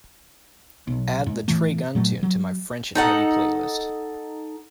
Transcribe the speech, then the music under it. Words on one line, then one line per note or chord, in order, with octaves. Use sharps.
Add the trey gunn tune to my French N' Heavy playlist.
B1
G#2
A2 E3 A3
A#2 F#3 A3
F#3
D#4 A4 F#5